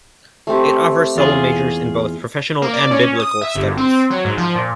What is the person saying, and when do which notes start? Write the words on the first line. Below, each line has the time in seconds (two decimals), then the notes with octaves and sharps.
It offers double majors in both professional and biblical studies.
0.47 A3 C4 G4
1.16 E2 F4 G#4
2.62 A#3
2.73 D5
2.91 C#4
3.20 D#6
3.41 E5
3.55 G1
3.77 C4
4.10 F#3
4.25 G#2
4.38 F3
4.55 A#2